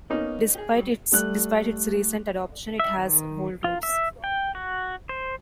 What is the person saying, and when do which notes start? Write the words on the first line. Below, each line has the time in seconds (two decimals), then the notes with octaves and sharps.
Despite its recent adoption, it has old roots.
0.10 A#3 B3 C#4 D#4
0.55 G4 G#4
0.76 F#3 G3
1.12 G3 A3 F#6
2.80 E5
2.98 D#3
3.64 F4
3.83 E5
4.24 G5
4.55 F#4
5.09 C5